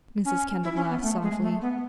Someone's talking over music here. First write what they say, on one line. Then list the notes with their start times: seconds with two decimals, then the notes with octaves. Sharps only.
Mrs. Kendall laughed softly.
0.25 C#4
0.64 E4
0.76 C#4
0.89 B3
1.02 A3
1.22 G#3
1.42 A3
1.61 B3